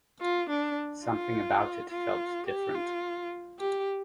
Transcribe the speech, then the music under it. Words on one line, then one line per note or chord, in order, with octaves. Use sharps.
Something about it felt different.
F4
D4
F4
F4
G4
F4
G4